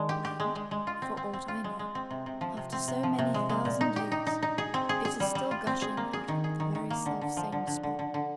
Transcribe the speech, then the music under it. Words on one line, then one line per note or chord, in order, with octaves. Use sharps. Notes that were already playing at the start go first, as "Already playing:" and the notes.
And, for aught I know, after so many thousand years, it is still gushing out of the very selfsame spot.
Already playing: D#3 G#3 D4
G4
G4
G#3
G#3
G#3
F4
C4
C4
C4
F4
G#3
G#3
C4
C3
C3
F3
C3
C4
C3
F3
C3
G#3
G#3
A#2
D#4
G4
D#4
D#4
D#4
G#4
C4
G#4
G#4
G3
G3
F4
C4
G#4
A#3
G#4
D#3
G#4
D#3
D#3
A#3
D3
D3
F3
D3
D3
D3
D3
D3